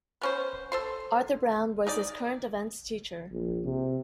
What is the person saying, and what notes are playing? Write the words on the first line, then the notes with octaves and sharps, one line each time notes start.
Arthur Brown was his current events teacher.
B3 C#4 C5
A4 C5 C6
D#4 G#4 D5
A#1
C3